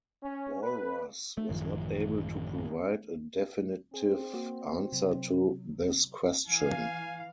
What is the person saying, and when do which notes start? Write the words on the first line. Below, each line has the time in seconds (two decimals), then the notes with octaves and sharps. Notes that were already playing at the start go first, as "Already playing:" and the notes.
Walras was not able to provide a definitive answer to this question.
0.23 C#4
0.61 B4
1.38 A3
1.50 A1 F#2 D#3 F3
3.94 C4 G#4
4.34 A#3 F#4
4.92 C3 F#3
6.47 E3 F5 G#5